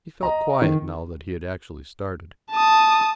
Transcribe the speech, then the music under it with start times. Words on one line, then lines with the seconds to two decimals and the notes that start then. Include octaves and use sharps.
He felt quiet now that he had actually started.
0.23 D#5 A#5
0.62 D#3
2.51 A5 D#6